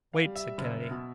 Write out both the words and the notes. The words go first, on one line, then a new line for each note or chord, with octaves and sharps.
"Wait!" said Kennedy.
F5
G3
E5
F#1
B2